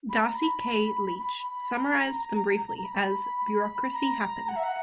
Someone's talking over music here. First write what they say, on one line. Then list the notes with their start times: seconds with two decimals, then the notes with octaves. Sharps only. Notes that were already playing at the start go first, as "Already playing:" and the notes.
Darcy K. Leach summarized them briefly as: Bureaucracy happens.
0.09 B5
0.22 A#5
0.35 B5
1.19 B5
1.42 B5
1.74 A#5
2.78 A#5
2.84 B5
3.94 A#5
4.48 F#5
4.56 E5
4.63 F#5